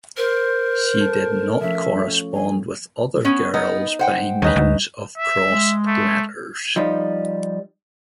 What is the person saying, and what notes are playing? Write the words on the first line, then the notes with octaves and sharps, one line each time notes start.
She did not correspond with other girls by means of crossed letters.
A#4 C5
A4
F3 A3 C#4 E5
G#5
B3 C#4
B3 D#4 A#4
C5 F#5 G5
D#2 C#4 D#4 B4
D2
E5
G#3
A3
F3 G3 D#4